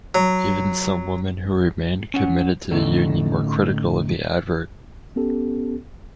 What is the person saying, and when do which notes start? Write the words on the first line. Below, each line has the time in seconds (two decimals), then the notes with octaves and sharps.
Even some women who remained committed to the union were critical of the advert.
0.15 F#3
2.14 C#4 F#5
2.71 A2 D3 C#4 D#4 E4 A4
5.16 B3 C#4 G4 A4